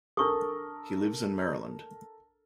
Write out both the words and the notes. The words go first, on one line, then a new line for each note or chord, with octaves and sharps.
He lives in Maryland.
D4 A4 A#4 C#6 D#6